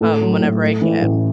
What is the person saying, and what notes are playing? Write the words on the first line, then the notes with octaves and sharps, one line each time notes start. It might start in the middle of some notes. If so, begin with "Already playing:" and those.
um, whenever I can.
A2 A4
F#3
A2
A3
E3
A1